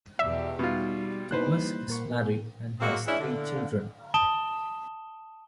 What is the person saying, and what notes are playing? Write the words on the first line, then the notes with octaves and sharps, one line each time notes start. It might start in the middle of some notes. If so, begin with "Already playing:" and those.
Thomas is married and has three children.
E2 B2 G4 D5 E5
B2 G3 B3 D#4 F4
A#3 D#4 E4 B4 C5 F#6
A#2 A#4 C#6
C3 F#3 G#3 A#3 C4 F#4
E3 G#3 C#4 D4 E4
D3
A5 D#6 E7 G7